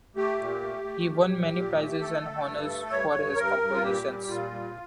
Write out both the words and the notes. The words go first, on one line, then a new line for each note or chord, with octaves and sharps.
He won many prizes and honors for his compositions.
A3 G4
A#2
A3
A3
A#2
A#2
A#2
A3
A3 A4
A3
G2
A3
G2 C#5
G2
G2 A#4
G2
F4
A#2 G4
G3
A#2 F4
G3